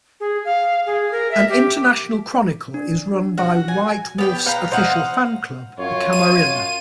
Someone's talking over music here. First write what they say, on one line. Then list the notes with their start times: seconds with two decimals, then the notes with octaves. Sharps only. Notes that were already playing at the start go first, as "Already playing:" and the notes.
An international chronicle is run by White Wolf's official fan club, the "Camarilla".
0.20 G#4
0.45 F5
0.86 G#4
1.12 A#4
1.31 E5
1.49 G4
2.74 D4
3.38 F#4
3.68 G#5
4.18 B3 G4 G5
4.46 B4 F5 G5 A#5
4.72 C5 D#5 F5 F#5
5.79 F#2 F4 C#5
6.13 D#7